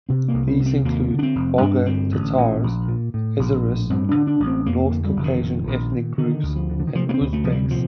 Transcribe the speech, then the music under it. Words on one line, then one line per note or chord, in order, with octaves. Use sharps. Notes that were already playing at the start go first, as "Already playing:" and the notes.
These include Volga Tatars, Azeris, North Caucasian ethnic groups and Uzbeks.
C3 C4
A#3
C2
C4
C3
C4
D#2 A#3
D3
D4
C4
F1
G2 D4
D3 C4
A1
A#2
A#1
A#2
A2
A#1
A2
G2 C4
D4
D3
D4
A1
C4
F2 A#3
A#3
D3
G3
F1
D#3
A#2
A#1
A#2
D3 D#3
D2
F3
D3
D3
D#3
C3 F3
A#3
C4
D2
A3
C3 F3
G3
A#2 F3